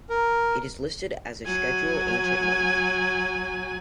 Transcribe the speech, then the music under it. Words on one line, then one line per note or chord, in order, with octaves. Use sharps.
It is listed as a Scheduled Ancient Monument.
A#4
F#3 G#5